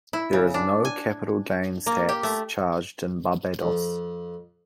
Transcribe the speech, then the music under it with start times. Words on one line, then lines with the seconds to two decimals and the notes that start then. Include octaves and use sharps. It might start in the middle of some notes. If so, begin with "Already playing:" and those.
There is no capital gains tax charged in Barbados.
0.13 E4
0.33 C#3
0.54 D4
0.85 G#5
1.86 A#3
2.09 G4
2.23 A3
3.62 F2